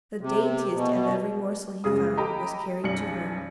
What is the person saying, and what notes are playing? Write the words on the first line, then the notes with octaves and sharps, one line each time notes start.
The daintiest of every morsel he found was carried to her.
C3
B2
F#1 C#3 G3 G#3 G#4 D#6
G4 A4 D#5 G5 A#5 B5
B1 F#2 G3 D5 C#7 F#7